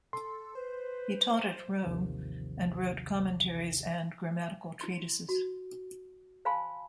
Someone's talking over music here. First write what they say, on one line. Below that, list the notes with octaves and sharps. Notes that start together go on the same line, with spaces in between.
He taught at Rome, and wrote commentaries and grammatical treatises.
A4 C6
B4 C5
A1 D#2 C3 D#3 F3
E4 C6
F#4
C5 F5 G#5 A5 B5 C6